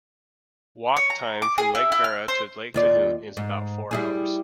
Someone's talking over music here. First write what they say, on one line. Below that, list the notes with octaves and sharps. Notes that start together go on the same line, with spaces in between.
Walk time from Lake Vera to Lake Tahune is about four hours.
C#5
A#5
D6
G#4
E4
E4
F6
C5
D#2 F4 D5
G#2
G3 E4 G#4